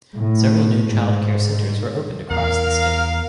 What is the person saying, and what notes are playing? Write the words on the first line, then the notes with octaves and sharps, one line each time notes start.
Several new childcare centers were opened across the state.
A2
G#2
E2 A#4 F5